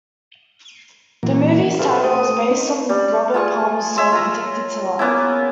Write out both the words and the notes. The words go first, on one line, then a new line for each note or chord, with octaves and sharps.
The movie's title is based on Robert Palmer's song "Addicted to Love".
A#2 E3 F#3 A#3
G4 A4 B4 C5 E5 F5
A3 D#6
C4 C#4 D#4
G3
F4 G#4 C#6
C#5 E5 C6
F4 A#5
A#3 B3 C#4 E4